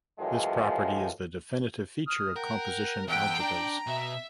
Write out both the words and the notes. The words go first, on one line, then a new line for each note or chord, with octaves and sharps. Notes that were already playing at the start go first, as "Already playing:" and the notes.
This property is the definitive feature of composition algebras.
F#2 A2 E3 F3 G#3
D#6 F6
A#4 F#5 G5
E2 B3 A4 F#5 G5
D4 A#5
B2 E5